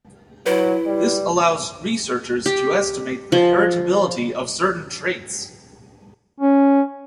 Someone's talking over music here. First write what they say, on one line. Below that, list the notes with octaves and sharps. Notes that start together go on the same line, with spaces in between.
This allows researchers to estimate the heritability of certain traits.
F#3 E4 B4
G3
G4
F3
C#4